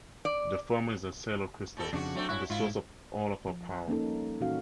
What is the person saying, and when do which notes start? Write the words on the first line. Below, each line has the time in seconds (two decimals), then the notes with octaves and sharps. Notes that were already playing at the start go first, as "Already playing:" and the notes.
The former is her Sailor Crystal and the source of all of her power.
0.25 D5
1.77 A#2 C4 A4
1.93 F2 C#3 D4 F#4
2.15 F#3 A3 C4 D4
2.29 C#4 E4 F#4
2.50 G#2 E4 F4
3.47 F3
3.88 A#3 C#4 D#4 A4
4.09 G3
4.40 A#2 E3 C#4 D#4 F#4 F5